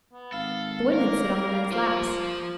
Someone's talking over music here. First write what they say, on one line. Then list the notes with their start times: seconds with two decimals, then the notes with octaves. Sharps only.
The women sit on the men's laps.
0.12 B3
0.33 G#1 A4 F5
0.93 A#3 A#4
1.72 F3 F4 C5